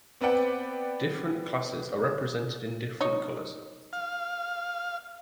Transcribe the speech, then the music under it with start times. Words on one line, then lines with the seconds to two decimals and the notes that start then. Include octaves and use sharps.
Different classes are represented in different colours.
0.21 B3 C4 B4 D5 F#5 G5
3.01 D#4 C#5
3.93 F5